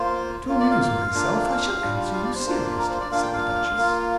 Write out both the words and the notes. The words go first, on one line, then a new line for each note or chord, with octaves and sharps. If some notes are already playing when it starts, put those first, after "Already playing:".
"To amuse myself, I shall answer you seriously," said the duchess.
Already playing: A#3 F4 C5
A#3 F4
D5
F5
F5
A#3 D4 F4
F5
G3 D4 F4
F5
D5
C5
A#3 D4 F4
A#4
C5
D5
A#3 D4 F4 F5
G5
F5
A#3 F4